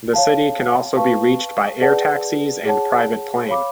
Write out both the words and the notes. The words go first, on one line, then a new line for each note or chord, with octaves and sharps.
The city can also be reached by air taxis and private plane.
C#5 F5 A5
B4 F5 A5 C#6
G#4 B4 D5 F#5 A5
G#4 C#5 F#5 A5
C#5 F5 B5 D6